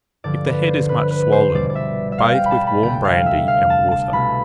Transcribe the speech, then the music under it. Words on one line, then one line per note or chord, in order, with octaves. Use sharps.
If the head is much swollen, bathe with warm brandy and water.
G2 D3 F3 D5
B4
C5
B4
B4
C5
C2 B2 G3 D5
D5
E5
E5
F5
G5
B5
A5
B5
D2 C3 G3 G5
F5
E5
F5
A5
A5
C2 B2 A3 B5